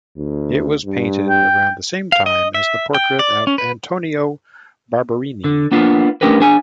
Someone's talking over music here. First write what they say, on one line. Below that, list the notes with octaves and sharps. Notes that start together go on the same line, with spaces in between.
It was painted around the same time as the portrait of Antonio Barberini.
D2
G2
G5
F5
D#5
E5
G5
D5
C#4
B4
D3
A#3 B3 D4 F4
A3 C#4 D4 G4 A#4 B4
D4 G#4 G#5